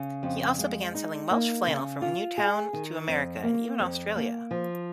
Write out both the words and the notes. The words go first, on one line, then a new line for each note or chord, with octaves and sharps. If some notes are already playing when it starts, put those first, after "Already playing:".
He also began selling Welsh flannel from Newtown to America and even Australia.
Already playing: C#3
F2
G#3
D#4
A#3
C#3
F4
G#4
D#3
F2
A#3
F2
A#3
F3